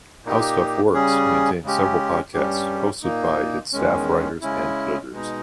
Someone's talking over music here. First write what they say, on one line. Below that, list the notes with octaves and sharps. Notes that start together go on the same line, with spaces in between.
HowStuffWorks maintains several podcasts, hosted by its staff writers and editors.
A#2 A#3 D#4 G4
C#3 G3 C#4 G#4
C#3 G#3 C#4 G4
G2 G3 C#4 G4
A#2 A#3 D#4
E2 D#3 G#3 C#4
C#3 G#3 C#4 E4
B2 G#3 D#4